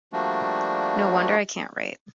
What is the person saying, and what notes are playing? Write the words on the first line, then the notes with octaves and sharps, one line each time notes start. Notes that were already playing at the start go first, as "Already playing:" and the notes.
No wonder I can't write!
F3 G3 A3 A#3 D4 F#4